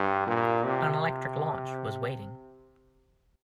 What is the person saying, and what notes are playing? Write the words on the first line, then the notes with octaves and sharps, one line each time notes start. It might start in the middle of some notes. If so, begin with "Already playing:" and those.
An electric launch was waiting.
Already playing: G2
A#2
C3